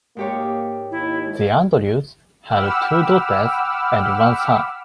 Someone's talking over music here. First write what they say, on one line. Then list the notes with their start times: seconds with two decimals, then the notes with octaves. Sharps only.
The Andrews had two daughters and one son.
0.17 G#2 A#3 G4 C#5
0.91 D#2 E4
2.50 F#5 G5 B5 D6 E6 F6